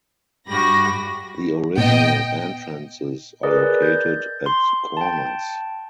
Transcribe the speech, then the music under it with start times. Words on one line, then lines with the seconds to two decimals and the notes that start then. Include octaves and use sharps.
The original entrances are located at the corners.
0.48 G2 F#4 G4 B5 A#6
1.78 A#2 B3 D#5 G5
3.43 G#4 A#4 B4 D5 D#5
3.82 G6
4.46 C6
4.97 G5 A5